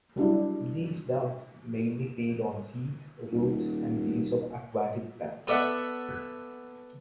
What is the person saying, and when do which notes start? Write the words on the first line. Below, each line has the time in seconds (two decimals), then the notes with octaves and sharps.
These ducks mainly feed on seeds, roots, and leaves of aquatic plants.
0.16 F#3 G3 D4 E4
3.31 D#1
5.47 B3 A4 D5 E5 F#5